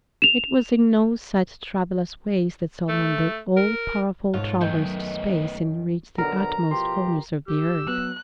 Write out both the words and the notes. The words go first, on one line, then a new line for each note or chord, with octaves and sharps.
It was in no such troublous ways that Solomon the all-powerful traversed space and reached the uttermost corners of the earth.
E7 F7
A3
A#4
G#2 B2 F4 A4 C#5
F#2 D#3 F#3 A3 B3 E5 G6
B1 D3 B3 A#4 A#5
B2 F3 G4 C6
G4 E6
F#3 B3 F#6